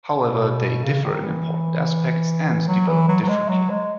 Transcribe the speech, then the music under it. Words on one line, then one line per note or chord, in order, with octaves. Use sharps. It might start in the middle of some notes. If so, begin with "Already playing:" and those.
However, they differ in important aspects, and developed differently.
B2
C#3
D#3
E3
F#3
E3
F#3
F#3
G#3
F#3
G#3